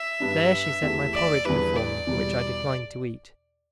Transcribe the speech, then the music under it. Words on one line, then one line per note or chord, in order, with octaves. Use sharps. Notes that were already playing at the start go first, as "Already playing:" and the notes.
There she set my porridge before me, which I declined to eat.
Already playing: E5
G2 G3 B3 D4
E2 E3 A3 G4
D5
E2 D3 G3 B3 E4 B4
D5
E2 B2 G3